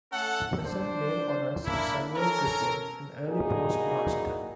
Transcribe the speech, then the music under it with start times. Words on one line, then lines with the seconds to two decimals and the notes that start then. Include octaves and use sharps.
The present name honors Samuel Griffin, an early postmaster.
0.13 A3 C#4 A4 F#5
0.66 D4 C5
1.65 A#3 D4 E4
2.15 C#4 A4 A#4
3.28 G3 A#3 D#4 E4 F#4 G#4